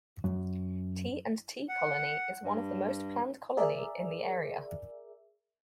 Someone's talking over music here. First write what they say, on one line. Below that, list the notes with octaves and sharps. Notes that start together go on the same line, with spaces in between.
T and T colony is one of the most planned colony in the area.
F#2
F#5
G2
G#4 A#4 D5 E5